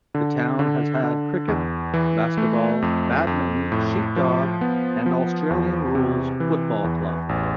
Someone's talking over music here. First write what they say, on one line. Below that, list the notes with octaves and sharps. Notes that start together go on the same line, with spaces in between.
The town has had cricket, basketball, badminton, sheep dog and Australian rules football clubs.
D3
D3
D3
E2
E3
A3
F2
F2
A2
F3
B3
F3
E2
C3
E3
E2
A1